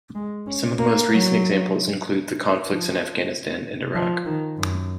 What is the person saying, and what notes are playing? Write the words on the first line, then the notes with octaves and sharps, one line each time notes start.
Some of the most recent examples include the conflicts in Afghanistan and Iraq.
G#3
C#4
A#3
F#3
F3
F3
D#3
F#2